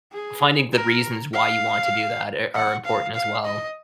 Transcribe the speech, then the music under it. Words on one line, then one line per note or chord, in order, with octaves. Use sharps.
finding the reasons why you want to do that e are important as well.
G#4
A#4
F5
F#5
F5
F5
D#5